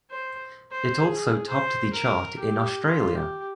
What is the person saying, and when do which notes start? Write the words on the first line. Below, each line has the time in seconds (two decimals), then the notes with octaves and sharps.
It also topped the chart in Australia.
0.11 C5
0.71 C5
1.02 G#4
1.48 C5
1.94 A#4
2.39 G4
2.85 F4
3.16 G4